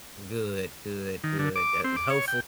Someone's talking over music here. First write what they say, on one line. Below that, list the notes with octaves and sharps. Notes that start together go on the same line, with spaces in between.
Good, good, good, that hopeful
D#3
D3
D6
C4
D6
C#5
G5